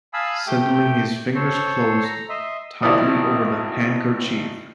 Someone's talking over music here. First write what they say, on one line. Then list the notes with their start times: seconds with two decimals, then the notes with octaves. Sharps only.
Suddenly his fingers closed tightly over the handkerchief.
0.14 F5 G#5 A5 B5 D#6 E6
0.47 A3 G4 G5 G6
1.35 A4 C5 C#5
2.04 A#5
2.29 D#5 E5 C6
2.82 G#1 F3 E4 D5 D#6